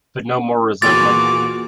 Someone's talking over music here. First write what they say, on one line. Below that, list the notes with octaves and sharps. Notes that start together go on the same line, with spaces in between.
But no more resentment.
E2 A#2 A#3 F4 F#4 D6 A6